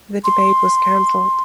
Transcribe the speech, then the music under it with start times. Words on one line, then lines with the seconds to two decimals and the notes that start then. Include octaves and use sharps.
The debate was canceled.
0.24 C6